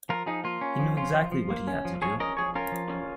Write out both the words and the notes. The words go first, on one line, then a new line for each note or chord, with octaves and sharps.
He knew exactly what he had to do.
F3 F4 A#4
F3 D#4 G#4
A#3 F4
C#4
F3
C#4 F4
F3
F3
A#3
C#4
F3
F3 G#4 C#5
C#4 A#4 D#5
F3 G#4 C#5
C#4 F4 A#4
F3
C#4